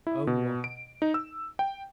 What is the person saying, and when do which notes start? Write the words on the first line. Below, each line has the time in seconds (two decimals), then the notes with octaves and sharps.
Own what?
0.07 E4
0.27 B2
0.64 D7
1.02 D#4
1.14 E6
1.59 G5